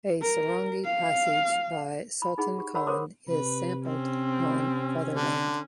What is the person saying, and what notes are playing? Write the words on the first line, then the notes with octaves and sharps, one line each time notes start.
A sarangi passage by Sultan Khan is sampled on "Fartherland".
A#4
F5
B5
D#4 G#4 F#5 B5
G4
A#4 C#5 F#5 B5 E6
A#4 C5 C#5 C6 D6 D#6
C3 B4
C4 C#4
D3